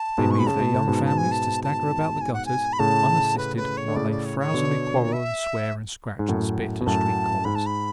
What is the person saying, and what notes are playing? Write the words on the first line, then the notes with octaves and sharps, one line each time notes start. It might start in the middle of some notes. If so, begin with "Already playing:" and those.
They leave their young families to stagger about the gutters, unassisted, while they frouzily quarrel and swear and scratch and spit, at street corners.
Already playing: A5
G#2 B2
C#6
B5
C#3 A5
B2
A2
G#2 B2
A5
G#5
A5
A5
G#5
F#5
G#5
B5
A2 C#3 A5
B4
B4
C#5
D3
A2 C#3 D5
D5
C#5
C#5
B2 D3
E5
G#2
F#2 A2
B2
F#2 A2 A5
G#2 B5
A5
B5